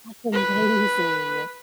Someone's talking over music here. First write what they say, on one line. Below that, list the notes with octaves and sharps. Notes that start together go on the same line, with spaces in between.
That's amazing.
B4